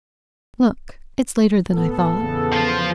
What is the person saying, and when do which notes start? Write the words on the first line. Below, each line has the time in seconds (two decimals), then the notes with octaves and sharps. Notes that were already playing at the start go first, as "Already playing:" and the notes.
'Look! it's later than I thought.
1.73 A2 B3 A4
2.17 E2 C#3 B3
2.53 F3 F4